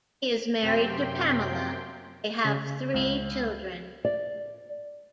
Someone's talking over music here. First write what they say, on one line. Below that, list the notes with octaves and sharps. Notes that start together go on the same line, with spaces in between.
He is married to Pamela; they have three children.
F#2 C3 G5 C6
C#3
C#2
D5